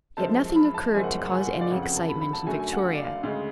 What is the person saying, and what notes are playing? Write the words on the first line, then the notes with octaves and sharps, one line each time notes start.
Yet nothing occurred to cause any excitement in Victoria.
F#2 F3 G#3 A5
B5
A5
F#1 F#2 F3 G#3 G#5
F#5
F#5
G#5
F#5
F5
D5
F1 F2 C#3 F#5
F#5
A5
B5
B5
A5
F#2 D3 F#3 A3 G#5
G#5
F#5
F5
D5
F5
D2 C#3 G#3 F5